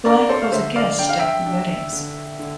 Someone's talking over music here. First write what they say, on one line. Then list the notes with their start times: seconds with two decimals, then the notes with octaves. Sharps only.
Black was a guest at the weddings.
0.05 D4 A#4 D5
0.29 A4 C5
0.41 F5
0.52 D3 C5 E5
0.76 D5 F5
0.99 D4 G5
1.09 F5
1.19 E5 G5
1.46 D4
1.93 D3
2.39 D3